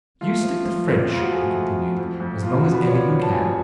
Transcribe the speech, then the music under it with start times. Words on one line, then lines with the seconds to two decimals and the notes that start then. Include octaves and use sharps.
You stick to French," he continued, "as long as ever you can.
0.21 A3 F4
0.43 F3
0.65 F3
0.87 F2
1.09 F2 F4
1.21 F#4
1.32 A3 G#4
1.54 A3
1.76 A3
1.98 F2
2.20 F2
2.42 F2 F4
2.58 F#4
2.64 F3
2.73 B4
2.82 D5
2.86 F3 C#5
3.09 F2
3.23 A5
3.32 F1 G#5